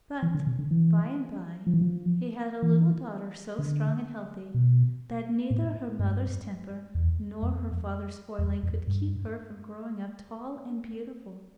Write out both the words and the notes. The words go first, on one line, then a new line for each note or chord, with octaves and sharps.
But, by-and-by, he had a little daughter so strong and healthy that neither her mother's temper nor her father's spoiling could keep her from growing up tall and beautiful.
E3
D3
C3
D3
E3
F3
E3
F3
E3
D3
B2
A2
G2
E2
F2
E2
F2
G2